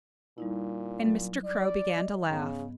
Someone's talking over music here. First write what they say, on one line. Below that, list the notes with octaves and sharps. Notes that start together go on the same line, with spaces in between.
And Mr. Crow began to laugh.
A#2 G3 D#4 E4
F#3
D5
D#5
G#2 C#3 B3